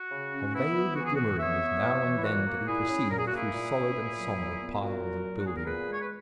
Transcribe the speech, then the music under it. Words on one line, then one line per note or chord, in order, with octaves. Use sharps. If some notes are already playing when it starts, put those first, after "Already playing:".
A vague glimmering is now and then to be perceived through solid and sombre piles of building.
Already playing: F#4
C#3
C#4
B3 E4
B3
E3 F#4
G#4
E3 F#4
B3 C#5 E5
B3
E3
E3
E4
A#2 F#4
A#3
A#2 E4 G#4
C#4
A#2 A#4
G#4
F#4
A#3
E4 G#4
A#2
C#4
A#2
F#3
A#2
B3
A#2 F#4 A#4
F#3
A#2
F#4
B3 G#4
A#4
A#2 G#4 B4
G#3
C#5
B4